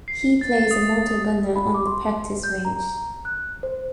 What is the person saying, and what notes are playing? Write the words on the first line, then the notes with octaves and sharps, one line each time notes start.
He plays a mortar gunner on the practice range.
C7
A6
D#6
B5
D6
C6
G6
A#5
F#6
C5